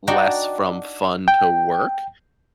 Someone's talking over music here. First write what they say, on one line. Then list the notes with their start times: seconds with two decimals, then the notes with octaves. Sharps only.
less from fun to work,
0.07 D4 D#4 F#4 G5
1.28 G5